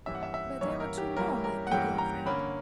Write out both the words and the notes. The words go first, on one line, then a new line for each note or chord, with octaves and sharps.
"But there were two more, my good young friend!"
G2 E3 G3 A#3 C#4 E5
F#5
E5
E5
G2 E3 G3 A#3 C#4 C#5
A#4
G4
G2 E3 G3 A#3 C#4 A#4
A#4
F#5
G2 E3 G3 A#3 C#4 G5
A#5
D3 A#3 C#4 B5